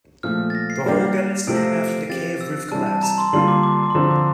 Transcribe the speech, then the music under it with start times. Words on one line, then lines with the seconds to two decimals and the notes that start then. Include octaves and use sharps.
The hole got its name after the cave roof collapsed.
0.23 A#2 F3 A3 F6
0.50 A6
0.55 A#6
0.70 C7
0.86 G3 A#3 D4 G4
1.47 C3 F3 A3 C4 D7
1.57 A#6
1.63 C7
1.73 D7
1.79 C7
2.09 F3 C4 G4 A6
2.41 E6
2.71 C3 E3 G3 D4 A5
2.86 A5
3.03 A#5
3.18 C6
3.33 D3 G3 A#3 F4 C6
3.48 D6
3.63 D6
3.90 C6
3.95 D3 F3 C4 A#5
4.11 D6